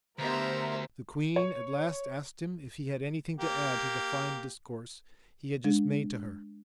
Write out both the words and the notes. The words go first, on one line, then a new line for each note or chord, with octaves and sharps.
The queen at last asked him if he had anything to add to the fine discourse he had just made to her.
D2 B3 G4 A#4 C5 E5 A#5
C#5
A#3 G4
G#3 D4